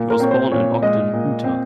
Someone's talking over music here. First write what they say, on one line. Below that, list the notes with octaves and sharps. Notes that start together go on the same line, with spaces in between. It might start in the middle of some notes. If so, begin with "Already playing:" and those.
He was born in Ogden, Utah.
Already playing: A#2
A#4
C4 C#5
C5
A#2 C#5
G#3 D#5
A#2
C4